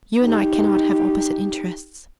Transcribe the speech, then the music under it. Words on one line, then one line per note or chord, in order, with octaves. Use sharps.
You and I cannot have opposite interests.
D#4 G4